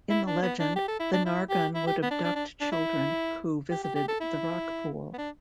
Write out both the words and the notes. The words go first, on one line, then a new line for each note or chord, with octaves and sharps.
In the legend the Nargun would abduct children who visited the rockpool.
E4
D4
B3
D4
G4
A4
E4
D4
E4
G4
E4
G4
B3
D4
D4
D4
D4
E4
G4
G4
G4
A4
E4
B3
D4